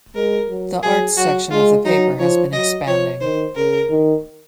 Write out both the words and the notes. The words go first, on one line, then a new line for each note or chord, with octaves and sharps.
The arts section of the paper has been expanding.
G#3 A#4
F#3
F#3 G#4
F#3 F#4
G#3 F4
F#3 D#4
F3 C#5
F#3 D#5
F3 C#5
D#3 C5
C#3 A#4
D#3